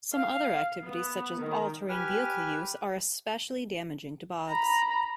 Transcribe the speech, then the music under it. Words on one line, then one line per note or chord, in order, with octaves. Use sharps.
Some other activities, such as all-terrain vehicle use, are especially damaging to bogs.
F5
B3
D#3
G4 B4 G#5 F6
A#5 B5